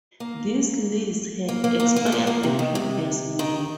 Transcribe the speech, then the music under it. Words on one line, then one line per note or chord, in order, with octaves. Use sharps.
This lease had expired the previous May.
A#3
A#3
A#3
A#3
A#3
G#3
F3
A#3
C3
D#3
C3
D#3